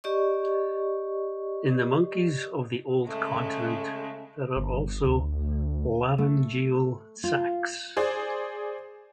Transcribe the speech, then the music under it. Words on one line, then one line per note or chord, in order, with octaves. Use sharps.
In the monkeys of the old continent there are also laryngeal sacs.
G4 D5 D#5 C#6
C#3 G#3 A3
G1
D2
A3
F4
G#4 C5 D5